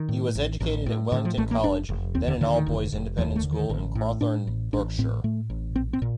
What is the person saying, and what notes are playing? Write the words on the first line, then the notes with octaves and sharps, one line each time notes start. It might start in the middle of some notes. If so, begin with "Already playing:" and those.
He was educated at Wellington College, then an all-boys independent school in Crowthorne, Berkshire.
Already playing: D#3
A2
A1
A1
A2
A2 D3
F3
A1 A3
A#3
F1 D4
F1
D#2 C4
D3
D3 D#3
D#3
F1
F1
D#2 F3
A3
D3
D#3
A1
A2
A2 D4
A1
A1 D4
A2 C4
A2 A3
A1
A#1 C4
C4
A#2